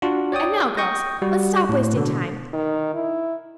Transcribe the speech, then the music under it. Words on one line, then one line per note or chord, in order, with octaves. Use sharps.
And now, girls, let's stop wasting time.
D4 F4 F#4
C#5 D5 G5 D#6
G5 C#6 D#6 G6 A#6
G3 F#4
A2
B2 D3
D#3
E4